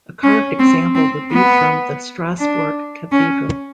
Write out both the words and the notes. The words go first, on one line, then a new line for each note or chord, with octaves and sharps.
A carved example would be from the Strasbourg Cathedral.
C#4
C4
C4
B3
D4
C#4